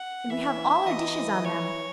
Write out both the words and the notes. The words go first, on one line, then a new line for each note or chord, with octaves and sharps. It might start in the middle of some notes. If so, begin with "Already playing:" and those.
And we have all our dishes on them.
Already playing: F#5
E3 E5
E3 D#5
C#5